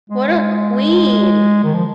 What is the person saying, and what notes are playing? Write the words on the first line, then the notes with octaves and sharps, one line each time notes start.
What a queen!
G#3
G#3
D#3
F3